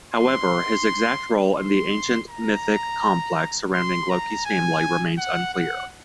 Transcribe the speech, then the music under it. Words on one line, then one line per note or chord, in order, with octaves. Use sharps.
However, his exact role in the ancient mythic complex surrounding Loki's family remains unclear.
C6
C6
A#5
C6
A#5
G#5
F#5
F#5